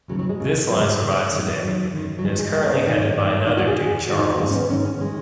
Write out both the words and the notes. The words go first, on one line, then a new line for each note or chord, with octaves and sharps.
This line survives today, and is currently headed by another Duke Charles.
D#2 C#3 F#3
F#3
G#3
D#2 C#3
C#3 F#3
D#2
G#3
G#3
D#2 C#3
F#2 D#3
F#2 D#3 F#3
F#2 D#3
F#3
F#2 D#3 G#3
G#3
D#2 D#3 G#3
B3
C#4
D#2 D#3 D#4
D#2 D#3
D#2 D#3 D#4
F#4
G#4
G#2 D#3
G#2 D#3 F#4
D#4
B3
G#2 D#3 G#3
C#4
B3
G#2 D#3 C#4
C#4
D#3 G#3